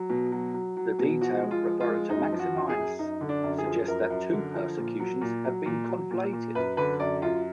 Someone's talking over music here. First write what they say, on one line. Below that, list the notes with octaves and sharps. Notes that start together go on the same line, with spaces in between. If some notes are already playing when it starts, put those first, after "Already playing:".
The detail referring to Maximinus suggests that two persecutions have been conflated.
Already playing: F#3
B2
F#3
F#3
F#3
B2
F3 F#4
G#3
F4
F3
F4
G#3
F#2 D#4
F3
F#4
F#2
G#4
F#2
F#2 D#4
D3
D4
F#2
G#4
F3
F#2 A#4
F#2
D3
F3
A#2
F#3
A#2
F#3
A#2
F#3
A#2
A#2
F#2 B4
D3 B4
F#2 D5
F#2 F4